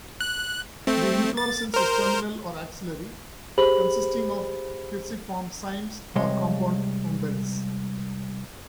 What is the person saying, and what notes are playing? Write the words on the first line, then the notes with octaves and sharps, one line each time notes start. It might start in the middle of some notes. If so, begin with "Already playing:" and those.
The inflorescence is terminal or axillary, consisting of thyrsiform cymes or compound umbels.
F#6
A3 C4
A6
A#4 C5
G4 G#4 C5 B5 F#7
C3 G3 G#3 C#5 C6